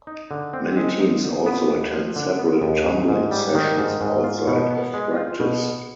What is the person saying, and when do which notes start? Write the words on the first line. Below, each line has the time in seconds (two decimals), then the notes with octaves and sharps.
Many teams also attend separate tumbling sessions outside of practice.
0.07 D#4
0.31 D3
0.53 C4
0.77 G#3
1.00 D#4
1.23 D3
1.46 B3
1.69 D#2
1.92 F3
2.16 D3
2.39 B3
2.62 D#2
2.85 G#2
3.08 G#2
3.31 G3
3.55 D#3
3.78 G#2
4.01 G#2
4.24 F4
4.47 B2
4.70 B3
4.93 G#3
5.17 F4
5.40 B2
5.63 B3